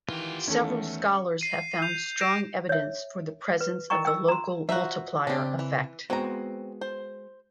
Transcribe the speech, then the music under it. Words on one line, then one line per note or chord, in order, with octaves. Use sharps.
Several scholars have found strong evidence for the presence of the local multiplier effect.
D#3 E3 F4 G4
E2 D#3 E3 A3 C#4 A4
C7 D#7
G6 F7
G6 A#6 D7 E7
C#5 E5
B4
E4 A#4 D#5 G5 A#5 C#6
G5 E6
A#5 C6
F4 F#4 C5 E5 A#5
C#3 C4 D4 G4
E3
G#3 B3 C4 F#4 A#5
C5